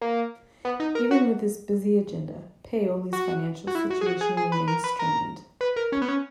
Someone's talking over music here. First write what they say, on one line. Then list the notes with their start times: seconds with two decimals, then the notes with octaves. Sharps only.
Even with this busy agenda, Paoli's financial situation remained strained.
0.01 A#3
0.65 B3
0.80 D#4
0.95 A#4
1.11 F#4
3.13 F#4
3.67 F#4
3.75 E4
3.90 F#4
4.01 G#4
4.07 F#4
4.21 G#4
4.37 G#4
4.52 B4
4.68 A#4
4.84 B4
4.99 A#4
5.61 B4
5.76 A#4
5.92 C#4
6.02 B3
6.08 C#4